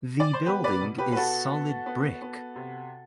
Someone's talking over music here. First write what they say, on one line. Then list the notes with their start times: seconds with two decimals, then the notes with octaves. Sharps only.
The building is solid brick.
0.20 D5
0.33 C5
0.46 B3 G4 B4
0.64 B4 D5
0.81 B2
0.98 G4 B4
1.12 B4
1.16 B3 F#4 A4
1.51 B3
1.86 B3
2.22 B3
2.56 C3